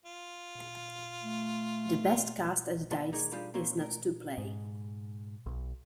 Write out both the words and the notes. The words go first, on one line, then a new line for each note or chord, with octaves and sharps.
The best cast at dice is not to play.
F4
A3
A#2 E3 B3 D5 A5 C6
D#3 A3 D#4 G#4 A#4 D5
F3 G3 D4 F4 G4 G#4
A#3 C4 C#4 C5
A3 A#4
G#2
B1